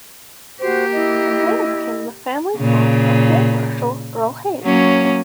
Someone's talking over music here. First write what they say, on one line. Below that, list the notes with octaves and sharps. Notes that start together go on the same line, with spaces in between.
It later became the family home of Field Marshal Earl Haig.
A#3 F#4 G4 C5 G6
E4 D#5
A#2 C#3
F#3 A#3 C#4